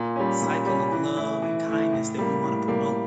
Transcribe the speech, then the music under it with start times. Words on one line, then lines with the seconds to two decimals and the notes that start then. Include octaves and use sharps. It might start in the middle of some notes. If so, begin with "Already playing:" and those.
cycle of love and kindness that we wanna promote.
Already playing: A#2
0.16 G3 C#4
0.41 A#2
0.65 G3 C#4
0.92 E3
1.16 A3 E4
1.42 E3
1.66 A3 E4
1.92 A2
2.18 G3 A#3
2.43 A2
2.68 G3 A#3